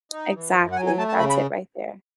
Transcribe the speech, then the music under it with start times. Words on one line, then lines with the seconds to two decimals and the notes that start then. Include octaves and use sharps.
Exactly, that's it right there.
0.12 D#4
0.34 E3
0.54 F#2
0.72 F#5
0.76 F#3 G#5
0.87 G#5
0.98 A3 A5
1.09 A5
1.19 C#3 B5
1.30 B5